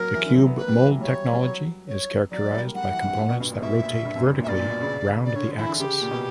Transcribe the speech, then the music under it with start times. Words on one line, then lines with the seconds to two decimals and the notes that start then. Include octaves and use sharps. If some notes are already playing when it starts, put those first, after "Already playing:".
The cube mold technology is characterized by components that rotate vertically round the axis.
Already playing: F#3 A#3 A#4
0.14 E3
0.25 D3
0.35 F#3
0.46 B3
0.58 A#3 B4
0.68 G3
0.80 E3
0.90 F#3
1.00 G3 C#5
1.33 G3
1.45 F#3
1.88 C#5
2.31 F#3 D5
2.42 F#3
2.53 G3
2.64 A#3
2.75 G3 F#5
2.89 E3
3.04 G2
3.18 A#2
3.30 B2
3.40 G2
3.50 A#2
3.61 B2 E5
3.84 A#2
4.05 G2
4.16 F#2
4.26 G2
4.38 A#2
4.44 E5
4.48 G2 D5
4.60 A#2
4.70 B2
4.81 C#3
5.25 D5
5.36 D3 C#5
5.47 D3
5.57 E3 E4
5.68 D3
5.79 C#3 G4
6.01 A#2
6.11 B2